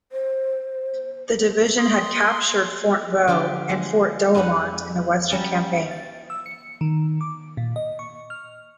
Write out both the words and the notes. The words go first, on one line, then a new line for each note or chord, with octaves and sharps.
The division had captured Fort Vaux and Fort Douaumont in the Western Campaign.
C5
C6 D#6
D3 F3 F4 G4 G5
G#3
F2 D#4 G#4 B4 F#5
F#3 G3 C#4 A5
A6
E6
C#7
D#3
D6
A#2
D#5
C#6
F6